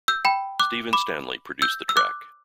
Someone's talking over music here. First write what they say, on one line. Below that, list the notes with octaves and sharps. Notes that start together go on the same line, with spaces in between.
Steven Stanley produced the track.
E6 G6
G5 B5
D6 F#6
B5 D6
E6 G6
E6
D6 F#6